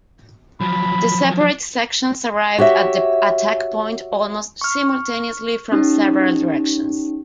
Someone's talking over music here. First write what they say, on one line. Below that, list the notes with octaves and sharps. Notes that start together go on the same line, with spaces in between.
The separate sections arrived at the attack point almost simultaneously from several directions.
F3 F#3 B5
F#4 G4 C#5 E5
C#6 F6
C#4 D#4 G4